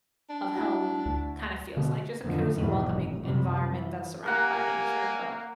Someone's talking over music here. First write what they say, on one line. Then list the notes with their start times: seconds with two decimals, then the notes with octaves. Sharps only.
of home kinda feels like, just a cozy welcoming environment that's surrounded by nature but
0.30 D4
0.55 E4 F#4
1.06 D2
1.77 B2 D3
2.23 F2 A2 D3 D#3 F3 F#3
2.55 E2 G#2 B2 D#3 E3 F#3
2.89 F1
3.22 F#2 C3 D#3 G3
3.69 E3
4.26 A#3 G4 A#4 F#5 G#5